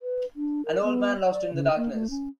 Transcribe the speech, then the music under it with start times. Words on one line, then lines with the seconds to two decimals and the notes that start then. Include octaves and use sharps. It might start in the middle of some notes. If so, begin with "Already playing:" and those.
An old man lost in the darkness.
0.02 B4
0.36 D4
0.65 A#4
0.83 B3
1.30 D5
1.53 C#3
1.76 A#3
1.93 A3
2.10 C#4